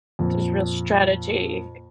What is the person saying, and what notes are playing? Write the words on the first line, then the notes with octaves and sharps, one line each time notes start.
There's real strategy,
F2 A#2